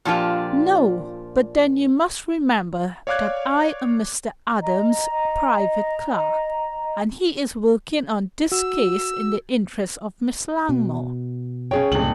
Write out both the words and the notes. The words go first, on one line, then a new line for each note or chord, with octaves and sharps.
"No, but then you must remember that I am Mr. Adams' private clerk, and he is working on this case in the interests of Miss Langmore."
A#2 F3 D4 F4 G4
C#5 D5 F5 D6 F#6 G#6
D#5 A#5
F#4 E6
B2
C#4 G#4 C#5 G5
D#1 C#2 G2 C3 F#7